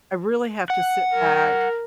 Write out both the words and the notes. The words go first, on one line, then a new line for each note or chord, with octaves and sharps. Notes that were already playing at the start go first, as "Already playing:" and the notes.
I really have to sit back,
F#5
A#4